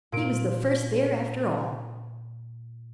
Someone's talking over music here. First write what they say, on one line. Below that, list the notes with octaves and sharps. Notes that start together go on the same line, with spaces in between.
He was the first there after all.
A#2 D7